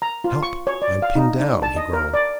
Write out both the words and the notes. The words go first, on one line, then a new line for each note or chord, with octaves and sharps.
"Help, I'm pinned down," he groaned.
A#5
F4
C#6
C#5
D5
F5
D#4
D4
A5
D#5
A#4
D5